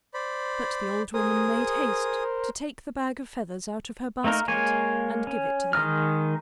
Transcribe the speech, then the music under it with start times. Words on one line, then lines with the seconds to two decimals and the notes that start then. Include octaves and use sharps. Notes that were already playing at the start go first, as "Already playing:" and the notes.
But the old woman made haste to take the bag of feathers out of her basket, and give it to them.
0.14 C5 D5 B5
1.14 G#4 A#4 C5 D#6
4.24 A3 A#3 D#4 A#4
4.48 G#3 A#3 C#5 G#5
5.27 C#4
5.73 D#3 G#3 D#4 F6